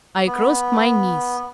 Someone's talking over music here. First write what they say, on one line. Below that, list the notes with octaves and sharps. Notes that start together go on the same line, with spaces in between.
I crossed my knees.
B3